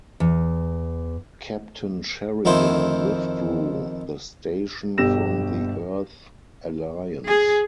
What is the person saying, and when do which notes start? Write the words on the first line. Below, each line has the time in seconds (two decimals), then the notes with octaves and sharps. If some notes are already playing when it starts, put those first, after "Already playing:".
Captain Sheridan withdrew the station from the Earth Alliance.
0.20 E2
2.45 F2 D#3 E4 C5
4.98 G1 B2 G4 E6 A#6 E7
7.25 G#4